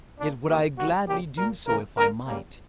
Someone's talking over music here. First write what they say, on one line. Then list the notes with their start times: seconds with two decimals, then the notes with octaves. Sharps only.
Yet would I gladly do so, if I might.
0.18 A#2 A#3 D4
0.48 C#3 E3 A#3 G4
0.77 D3 G3 A#3 F#4
1.07 C#3 G3 A#3 G4
1.37 A#2 A#3 A#4
1.67 C#3 E3 A#3 A#4
1.97 D3 A#3 A#4
2.26 C#3 G3 A#3